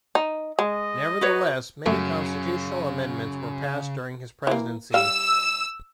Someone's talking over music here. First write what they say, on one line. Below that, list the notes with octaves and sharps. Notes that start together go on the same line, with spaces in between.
Nevertheless, many constitutional amendments were passed during his presidency.
D#4
G#3 D#5
F#4 B4 C#5
F#2 C#3 A3
E3 A#3
G3 F5 E6